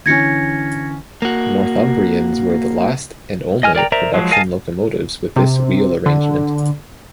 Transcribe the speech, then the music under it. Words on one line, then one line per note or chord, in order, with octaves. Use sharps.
"Northumbrians" were the last, and only, production locomotives with this wheel arrangement.
D3 E3 C#4 G#6 A#6 C#7
A#3 F#4
D#5 G#5 F6
A#4 D5 G5 A#5
A#4 C5 D5 E5 A#5
F3 F#3 G#3
A#4 D#5 F5 G#5 A5
C3
D3